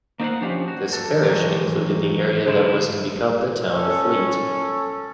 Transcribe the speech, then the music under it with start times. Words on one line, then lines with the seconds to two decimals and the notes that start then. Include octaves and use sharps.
This parish included the area that was to become the town of Fleet.
0.20 A#3 D#4 C5 D5 F5 F#5
0.41 F3 C#4 D4 G4 F5
0.68 F#4
0.93 A4
1.23 E3 F#3 G#3 G4
2.47 D3 G#3 A3 C#4 E4 F4
3.68 C#4 A4